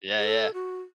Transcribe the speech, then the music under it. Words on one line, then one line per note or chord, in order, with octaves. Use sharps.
Yeah, yeah.
G#4
A4
F#4